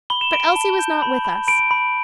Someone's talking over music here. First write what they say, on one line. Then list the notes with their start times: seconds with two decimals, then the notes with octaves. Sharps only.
But Elsie was not with us.
0.10 B5 G7
0.21 E7
0.33 B5 D7
0.45 D7
0.56 A5
0.79 G6
1.02 B5
1.25 B5
1.47 B5 D7
1.71 B5